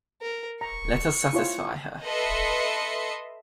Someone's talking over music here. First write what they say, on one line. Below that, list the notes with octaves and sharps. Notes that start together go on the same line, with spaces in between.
Let us satisfy her.
A#4
A#5 C#6
E4 F4 C#5
A4 B4 D#5 E5 C6 C#7